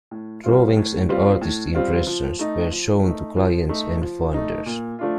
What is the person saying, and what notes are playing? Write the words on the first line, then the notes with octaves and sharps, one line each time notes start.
Drawings and artist impressions were shown to clients and funders.
A2
G3 C4 F4
A2
G3 C4 F4
A2
G3 C4 F4
F3
A3 D#4
F3
A3 D#4
F3
A3 D#4
F3
A3 D#4
A#2
F3 A3 D4 F4